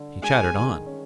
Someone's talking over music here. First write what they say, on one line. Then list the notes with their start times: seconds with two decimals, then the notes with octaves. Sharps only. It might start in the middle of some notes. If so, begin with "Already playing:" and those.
He chattered on.
Already playing: D3
0.22 G#3 G#5
0.55 D#3
0.86 C#4